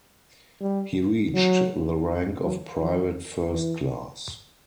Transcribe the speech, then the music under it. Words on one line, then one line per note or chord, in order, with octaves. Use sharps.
He reached the rank of Private First Class.
G3
F#3
F#3
F3
E3